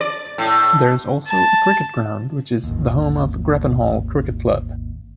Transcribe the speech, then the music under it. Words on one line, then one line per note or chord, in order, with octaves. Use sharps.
There is also a cricket ground, which is the home of Grappenhall Cricket Club.
D5
A2
A5
G#1 D#2